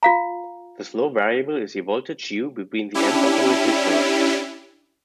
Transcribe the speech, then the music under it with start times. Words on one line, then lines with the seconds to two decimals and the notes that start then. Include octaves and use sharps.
The slow variable is the voltage "U" between the ends of the resistor.
0.03 F4 F5 A#5
2.94 C#4 D4 E4 G4